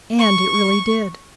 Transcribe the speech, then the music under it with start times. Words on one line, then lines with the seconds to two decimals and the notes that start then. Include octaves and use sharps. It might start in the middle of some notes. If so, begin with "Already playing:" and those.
And it really did.
0.19 C#6